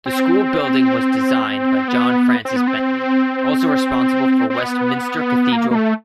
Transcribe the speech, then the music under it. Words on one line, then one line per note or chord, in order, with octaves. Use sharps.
The school building was designed by John Francis Bentley, also responsible for Westminster Cathedral.
C4
B3
C4
B3
C4
C4
B3
A#3
A#3
A3